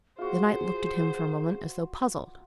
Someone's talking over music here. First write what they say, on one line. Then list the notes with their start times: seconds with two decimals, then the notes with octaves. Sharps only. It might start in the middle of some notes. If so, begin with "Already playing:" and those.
The knight looked at him for a moment as though puzzled.
0.18 F4 F#4 G#4 C5